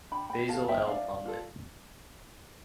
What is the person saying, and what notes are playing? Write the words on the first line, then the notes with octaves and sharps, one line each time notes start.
Basil L. Plumley.
D4 G5 B5
G5 B5
F4 A4 F5 A5
E5 G5
D4 D5 F5
F4 A4